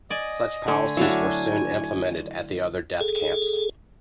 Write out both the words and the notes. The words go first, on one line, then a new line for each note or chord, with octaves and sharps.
Such policies were soon implemented at the other death camps.
D5 D#5 G#5
D3 A3 G#5
F#3 A3 D4 E4 F#4 E5 F5
G#4 A4